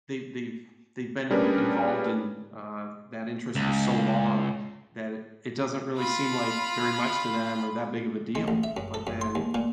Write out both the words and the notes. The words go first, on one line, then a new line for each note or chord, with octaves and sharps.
they they've they've been in involved in, uh, that interest for so long that it doesn't really seem like, very much to them or that big of a deal. But then,
G3 C#4 D4 G#4 A#4 B4
C#2
F4 B5
G#3
A1
E5
F#2
A4
F#2
C6
D#2
A#2